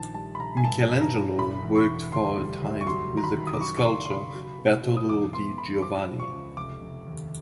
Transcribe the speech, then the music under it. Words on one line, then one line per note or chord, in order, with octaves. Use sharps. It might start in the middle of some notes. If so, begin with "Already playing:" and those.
Michelangelo worked for a time with the sculptor Bertoldo di Giovanni.
Already playing: A#1 D#3 A5
G3 A5
B5
A#1 A#5
G#5
G2 A5
G2
A#5
E3
E1 B5
E2
C#6
E2
D2 C6
G3
D2
C#6
F#3 C6
D#2
A#5
B5
D#3
D#6
D6
F#2 C#6
C#6
C#3 C6
C6
C#3 B5
F#3
B2
B2
D#6
E2 D6
B3 C6
E2 B5
F3 D6
F3
C#6
C#2
F1 D6
F1
D#2